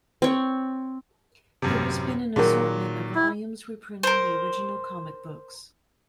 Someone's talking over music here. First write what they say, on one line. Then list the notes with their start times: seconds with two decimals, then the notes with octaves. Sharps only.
There has been an assortment of volumes reprinting the original comic books.
0.22 C4 C#5
1.62 A1 F#2 C3
2.36 A#2 D#3 F#3 G#4 A#4
3.15 E4
4.03 A#4 C5